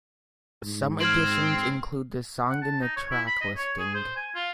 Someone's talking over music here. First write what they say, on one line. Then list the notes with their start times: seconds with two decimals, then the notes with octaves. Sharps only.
Some editions include the song in the track listing.
0.63 G#2
1.01 C4 F6 G#6 F#7
2.50 F#5
2.62 A5
2.81 D#4
2.96 C#5
3.11 E4
3.27 B5
3.41 D#5
3.56 C#5
3.79 G#4
3.95 C5
4.16 G#5
4.35 F4